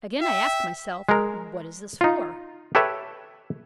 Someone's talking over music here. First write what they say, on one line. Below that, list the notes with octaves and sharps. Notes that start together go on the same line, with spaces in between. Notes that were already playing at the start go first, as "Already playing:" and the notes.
Again I ask myself, What is this for?
E5 G5
G#3 A#4
D#4 F4
G4 A4 B4 C#5 E5